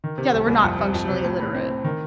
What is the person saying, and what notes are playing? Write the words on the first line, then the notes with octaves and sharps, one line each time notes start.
Yeah, that we're not functionally illiterate.
D#3
C3
C2
C2
F2
C3
F2
C3
A2
A2
C4
A2
D#3